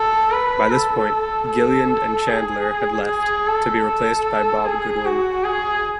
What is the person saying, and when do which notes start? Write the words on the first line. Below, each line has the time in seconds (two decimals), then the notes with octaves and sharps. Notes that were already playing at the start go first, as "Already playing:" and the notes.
By this point, Gilliand and Chandler had left, to be replaced by Bob Goodwin.
Already playing: A4
0.31 B4
0.70 A4
1.49 A4
2.29 G#4
3.07 G#4
3.47 A4
3.86 A4
4.65 G#4
5.05 F#4
5.44 G#4